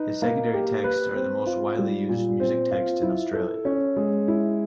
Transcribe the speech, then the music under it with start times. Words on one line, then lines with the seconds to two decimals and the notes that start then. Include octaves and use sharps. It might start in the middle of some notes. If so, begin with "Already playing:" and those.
His secondary texts are the most widely used music texts in Australia.
Already playing: D#4 B4
0.22 A#3
0.54 G4
0.84 B4
1.15 C4
1.46 F4
1.79 G3
2.09 A#2
2.40 C4
2.71 F4
3.02 E4
3.33 A4
3.65 C#4
3.96 G#3
4.28 E4